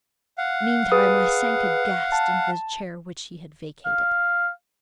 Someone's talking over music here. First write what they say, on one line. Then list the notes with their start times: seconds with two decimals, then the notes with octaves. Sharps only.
Meantime I sank aghast into the chair which she had vacated.
0.38 F5 F#5
0.92 G#4 B4 D#6
2.12 A5
3.85 F5